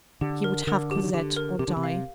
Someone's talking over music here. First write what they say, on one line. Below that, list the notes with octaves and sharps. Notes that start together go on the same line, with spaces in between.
He would have Cosette or die.
D3 G4
A#4
D3 A#4
F3 G4
D#3
D3 G4
A#4
C3 G4
D3
C3
F5